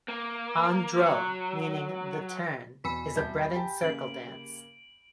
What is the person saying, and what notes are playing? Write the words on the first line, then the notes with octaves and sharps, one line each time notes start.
An Dro, meaning "the turn", is a Breton circle dance.
A#3
F#3
E2 B2 G#5 B5 E6 B6
C2 A5 G6
G4 G5 A5 A#5
C#3 A#3 D7 F#7